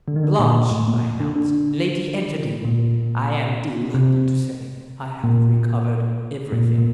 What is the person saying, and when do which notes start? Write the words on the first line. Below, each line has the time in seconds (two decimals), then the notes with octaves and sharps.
"Blanche," I announced--"Lady Enterdean--I am delighted to say I have recovered everything."
0.08 D3
0.16 D#3
0.24 D3
0.39 A#2
0.71 A2
0.87 A#2
1.20 D3
1.36 D3
2.65 A#2
3.94 C3
5.24 A#2
6.52 A#2
6.78 A#2